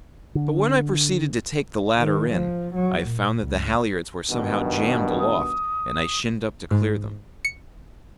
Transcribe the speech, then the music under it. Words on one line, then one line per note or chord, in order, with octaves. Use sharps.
But when I proceeded to take the latter in, I found that the halliards were somehow jammed aloft, and I shinned up to clear them.
D3
D#3
F3
F#3
A#2
C#2
G2 B2 D#3
D#6
G#2
C#7